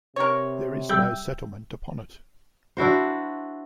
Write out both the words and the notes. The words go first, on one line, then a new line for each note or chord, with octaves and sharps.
There is no settlement upon it.
C3 A#4 C#5
G3 E5 G5
D4 E4 F#4 C5